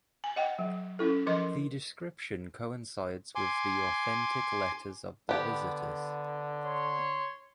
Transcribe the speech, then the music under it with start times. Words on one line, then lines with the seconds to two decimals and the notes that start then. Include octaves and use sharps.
The description coincides with the authentic letters of the visitors.
0.24 G#5
0.36 D#5 F#5 G5
0.59 F#3
0.99 C#4 E4 A4
1.27 F3 A#4 D#5 C6
3.35 G#5 C6 D6
5.29 D3 B3 G4
6.65 C#5 C6